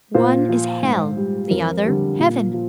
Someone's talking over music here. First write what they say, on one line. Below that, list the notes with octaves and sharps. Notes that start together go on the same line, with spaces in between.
One is Hell--the other Heaven.
A#2 C5
F3
G#2
G3
F2 A#4
D3 G3
A#2
F3